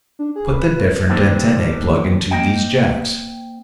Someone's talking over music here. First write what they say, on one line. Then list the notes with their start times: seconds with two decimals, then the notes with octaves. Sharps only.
Put the different antennae plug into these jacks.
0.19 D4
0.36 G#4
0.53 B4
1.09 A#2 D3 D#3 G3 C4 D4
2.31 A#3 C4 D#5 G5